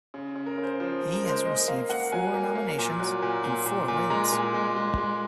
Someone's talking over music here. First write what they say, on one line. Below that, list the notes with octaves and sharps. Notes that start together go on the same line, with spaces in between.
He has received four nominations and four wins.
C#3
C#3
A#4
C#3
C5
F3 C5
C#3
A#4
G#3
C5
A#3 D#5
A#3 F5
A#3 F#5
F#3 G#5
A#3
A#3
A#2
F#3
A#2
A#2
A#2
A#2
G#3 A#5
A#2
G#3
G#3
G#3